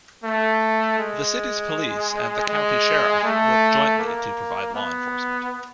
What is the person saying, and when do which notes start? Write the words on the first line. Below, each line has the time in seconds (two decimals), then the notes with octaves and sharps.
The city's police and the county sheriff work jointly to provide law enforcement.
0.24 A3
0.99 G#3
2.49 G#3
3.24 A3
3.99 A#3
4.74 B3